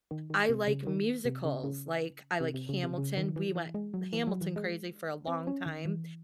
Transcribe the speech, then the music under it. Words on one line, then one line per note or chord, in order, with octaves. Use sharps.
I like musicals, like, I like Hamilton. We went Hamilton-crazy for a long time.
D#3
D#3
C3
C#3
D#3
C3
C#3
C#3
C3
C3
C#3
C3
C#3
D#3
E3
E3
G#3
F#3
E3
F#3
E3
G#3
C4
C#4
D#3
E3